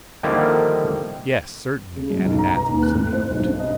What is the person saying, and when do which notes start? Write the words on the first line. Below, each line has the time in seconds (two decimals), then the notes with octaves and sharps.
"Yes, certainly," added Athos and the other two.
0.23 D3 D#3 F3 G3 A#3 E4
1.96 C#3
2.10 F#2
2.25 B1
2.39 A#5
2.56 B4
2.68 D#2
2.83 F#6
2.94 A2
3.12 C5
3.31 B1
3.45 G2
3.60 D#5